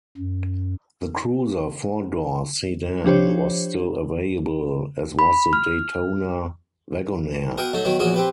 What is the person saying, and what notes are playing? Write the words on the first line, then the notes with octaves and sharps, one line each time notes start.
The Cruiser four-door sedan was still available, as was the Daytona Wagonaire.
F#2
F3 D4 G4 C5 C#5
B5
F6
B2 A#4 F#5 G5 D#6
F#3 A3 D#4
D#3 F#3 B3 F#4
A#1 E2 F#3 F#4 D#6
C4 G4 B4